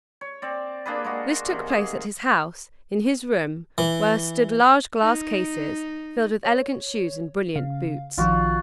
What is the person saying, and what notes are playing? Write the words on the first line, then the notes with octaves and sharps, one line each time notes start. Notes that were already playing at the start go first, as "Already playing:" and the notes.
This took place at his house, in his room; where stood large glass-cases, filled with elegant shoes and brilliant boots.
C#5
C4 D5
A#3 D4 G#4 B4
G#3 A#3 F#4
C3 D#3
G#4
E3
D#4
C#5
C#3 F5
A#1 D#3 F3 F4 F#4